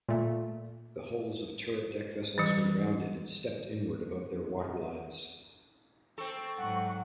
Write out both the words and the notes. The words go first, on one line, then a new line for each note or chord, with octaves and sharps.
The hulls of turret deck vessels were rounded and stepped inward above their waterlines.
A#2 A3
E3 G3
C4 A4 C#6
G#2 F#3 F#5